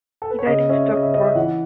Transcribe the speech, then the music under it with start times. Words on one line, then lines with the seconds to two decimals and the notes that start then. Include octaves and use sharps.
He died in Stockport.
0.22 A4
0.30 B4
0.39 C#5
0.47 C#3 D#5
0.69 C#4 E5
0.91 C#3 D#5
1.02 E5
1.14 C#4 D#5
1.24 E5
1.35 E3 F#5